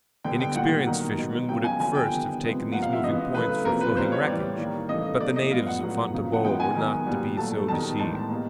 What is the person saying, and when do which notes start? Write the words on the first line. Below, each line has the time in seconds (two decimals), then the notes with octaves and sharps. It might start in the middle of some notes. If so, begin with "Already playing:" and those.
Inexperienced fishermen would at first have taken these moving points for floating wreckage, but the natives of Fonteboa were not to be so deceived.
0.24 D3 G3 B3 G5
0.40 G5
0.55 A#2 G3 B3 F#5
0.86 D#3 F#3 A#3
1.18 B2 G#3 B3
1.48 C#3 F#3 B3 G5
1.64 G#5
1.80 D3 F3 A#3 G#5
1.95 G5
2.11 D#3 G3 B3
2.42 C3 F3 G#3 B3
2.72 C3 F3 A#3 F#5
2.83 F5
2.93 E5
3.04 C#3 E3 G#3 B3 D#5
3.35 C#3 F#3 A3 B4
3.65 C3 F3 A#3 A#4
3.81 B4
3.96 C#3 E3 G3 B3 C5
4.12 C#5
4.27 A2 E3 G3 D5
4.58 D#3 G3 A#3
4.89 C#3 E3 A3 D#5
5.20 B2 F#3 A#3 D5
5.36 D#5
5.52 A2 F3 G#3 B3 F5
5.67 F#5
5.82 A2 F#3 B3
6.14 C#3 F3 A#3
6.33 F#5
6.44 D#3 G#3 B3 G5
6.60 G#5
6.76 D#3 F#3 B3
7.07 A#2 G3 B3
7.37 A#2 F#3 A3 A5
7.68 D#3 G3 B3 A5
7.99 A2 E3 G#3 B3 A5
8.30 B2 G3 A#3